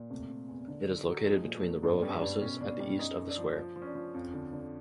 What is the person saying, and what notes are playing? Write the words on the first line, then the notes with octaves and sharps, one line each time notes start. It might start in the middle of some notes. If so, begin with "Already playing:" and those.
It is located between the row of houses at the east of the square.
Already playing: A#2
C3 A3
C3
E2
D3
D3
F#3
F3 G#3
A#2
A3
A#2
G2 B3
G3 C#4
G2 D4
B2 C#4
B2 D4
G3 D4
F#2 D#4
F#2
D4
F3
F3
F3
C#4
D4
F3
F2 C#4
D3
D3